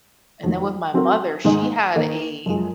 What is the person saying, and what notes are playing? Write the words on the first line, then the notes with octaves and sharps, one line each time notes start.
and then with my mother, she had a
F2 D#3 F#3
F#3 C4 F#4 A#4
G#2 D#3 G#3 D#4
D#3 A#3 D#4
F#2 F3 G#3